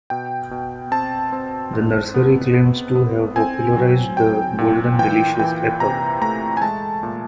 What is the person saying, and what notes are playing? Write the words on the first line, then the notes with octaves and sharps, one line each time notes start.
The nursery claims to have popularized the Golden Delicious apple.
B2 G5
B2
C4 A5
C4
G#2
B3
B3
B3
C4 G#5
F#3
F#3 G5
A#2
E3 G5
E3 G5
C3 A#5
A3 A#5
G#5
G#3 A5
A#2